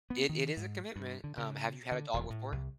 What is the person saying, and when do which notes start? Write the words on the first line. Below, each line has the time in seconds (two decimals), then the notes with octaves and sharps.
It it is a commitment, um, have you had a dog before?
0.10 B3
0.29 D#3
0.57 G#2
0.96 G2
1.24 D3
1.38 C#3
1.91 D3
2.14 E1
2.30 A2
2.52 C2